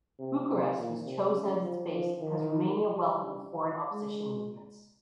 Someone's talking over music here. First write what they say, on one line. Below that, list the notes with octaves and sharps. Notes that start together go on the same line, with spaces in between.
Bucharest was chosen as its base because Romania welcomed foreign opposition movements.
C3
C3
A#2
C3
C#3
F3
F3
D#3
G3
G#3